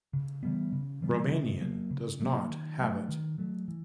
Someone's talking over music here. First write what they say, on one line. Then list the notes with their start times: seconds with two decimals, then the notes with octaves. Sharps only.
Romanian does "not" have it.
0.13 C#3
0.43 E3 G3 B3
0.72 C#3
1.02 E3 G3 B3
1.31 C#3
1.61 F#3 A#3
1.91 C#3
2.20 F#3 A#3
2.50 D#3
2.79 F#3 A3
3.09 D#3
3.38 F#3 A3
3.68 E3